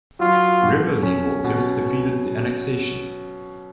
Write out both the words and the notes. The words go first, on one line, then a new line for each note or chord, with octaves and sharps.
Riverlea voters defeated the annexation.
F#3 F4
B2
C#4
B2